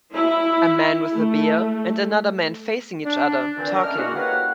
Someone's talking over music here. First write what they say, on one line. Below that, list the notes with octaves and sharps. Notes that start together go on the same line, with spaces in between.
A man with a beer and another man facing each other, talking.
E4
A3
D4
A#2 D3 E3 C4
D4 A#4
A3 A#3 C#4 D#5 F6
D3 G#3 A#3 E4 F#4
G4 A#4 B4 C#5 F5 F#5